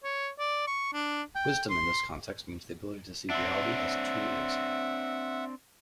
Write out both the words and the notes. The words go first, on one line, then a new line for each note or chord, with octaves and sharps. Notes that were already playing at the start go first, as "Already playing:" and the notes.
"Wisdom" in this context means the ability to see reality as it truly is.
C#5
D5
C#6
D4
G5
C6
C4 D4 E5 F#5